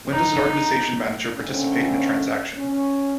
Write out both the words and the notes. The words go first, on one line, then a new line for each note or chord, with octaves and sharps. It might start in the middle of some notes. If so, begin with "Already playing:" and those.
When Does an Organization Manager Participate in a Transaction?
D#4 A#5
D3 A3 A#3 C4 C#4
C#4